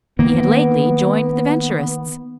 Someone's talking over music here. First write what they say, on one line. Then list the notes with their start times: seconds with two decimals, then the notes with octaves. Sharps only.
He had lately joined the Venturists.
0.19 D#3 A#3 B3